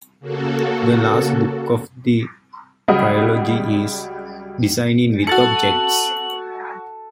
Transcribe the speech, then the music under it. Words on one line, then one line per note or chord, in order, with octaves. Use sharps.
The last book of the trilogy is "Designing with Objects".
C#3 A#3 F#4 A4
C#2 F#3 G3 D#5 F#5
F#4 A4 A6 C#7 F#7